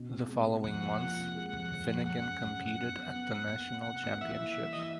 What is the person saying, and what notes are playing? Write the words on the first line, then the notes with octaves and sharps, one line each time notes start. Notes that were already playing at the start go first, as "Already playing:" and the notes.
The following month Finnegan competed at the National Championships.
Already playing: B2
C4
G#3
G#3
F2 F#5
A#3
F3
C3
G#3
F2
F2
G#3
F#2 F#5
F#2
F#2
F#2
B3
B3
B3
B3
A#3
A#3
C3
A#3
E3 E5
E3
G3
E3 D#5
E5